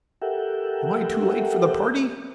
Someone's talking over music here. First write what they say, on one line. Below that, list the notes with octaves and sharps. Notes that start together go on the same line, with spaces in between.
"Am I too late for the party?"
G4 A4 A#4 E5 F#5 G5